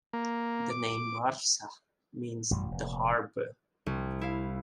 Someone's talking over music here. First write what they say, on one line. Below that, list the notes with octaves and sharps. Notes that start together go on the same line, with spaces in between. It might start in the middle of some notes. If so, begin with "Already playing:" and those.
The name Marsa means "the harbour".
A#3
D6
A1 F#2 B2 G3
F1 A#2
C2
E4 F5